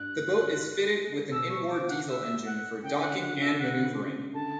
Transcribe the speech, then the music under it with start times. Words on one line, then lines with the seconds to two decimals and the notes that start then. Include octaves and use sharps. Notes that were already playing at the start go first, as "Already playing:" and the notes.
The boat is fitted with an inboard diesel engine for docking and manoeuvring.
Already playing: G2 F#6
1.32 B2 E6
1.50 C#6
1.70 D6
1.88 F#5
2.08 E5
2.45 F#5
2.83 C#3 G5
2.95 D3
3.02 F#5
3.07 C#3
3.20 D3 F#5
3.32 C#3
3.40 D3 E5
3.56 C#3 F#5
3.69 D3
3.81 C#3
4.34 D3 A5